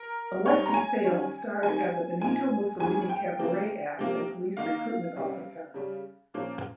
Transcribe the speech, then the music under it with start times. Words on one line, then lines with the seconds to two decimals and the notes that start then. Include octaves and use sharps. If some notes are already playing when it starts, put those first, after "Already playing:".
Alexei Sayle starred as a Benito Mussolini cabaret act and police recruitment officer.
Already playing: A#4
0.46 G2 G3 C4 D#4 C#5
0.66 A#5
0.74 G#5
1.04 D#3 G3 C#4
1.63 D#3 G3 C4 D#4 G#5
2.21 A#2 F3 C4 D#4 G#5
2.80 F2 D#3 G#3 G#5
3.09 G5
3.39 C#3 F3 A#3
3.99 C3 F3 A#3
4.57 D#3 A#3 D#4 F5
5.16 C3 G3 C#4
5.74 C#3 G3 C#4
6.34 A#2 F3 A#3 C#4